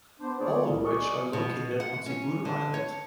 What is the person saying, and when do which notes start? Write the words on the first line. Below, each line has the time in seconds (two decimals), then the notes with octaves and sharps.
All of which are located on Sibutu Island.
0.20 B3 D4 C5
0.40 D3 A#3 F4 G#4 C#5 D5
0.70 C2
0.85 G#4 D5 D#5 C#6
1.33 B2
1.80 F#5
2.06 C#4
2.45 D3
2.74 C#5